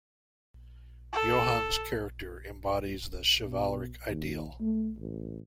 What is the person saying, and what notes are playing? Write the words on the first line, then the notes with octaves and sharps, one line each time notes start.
Johan's character embodies the chivalric ideal.
A4
B2
D#2
A3
A1